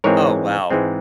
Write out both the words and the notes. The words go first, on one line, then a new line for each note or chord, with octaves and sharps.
Oh, wow.
G#2 E3 G#3 C4 A#4 C#5
G#2 E3 G#3 C4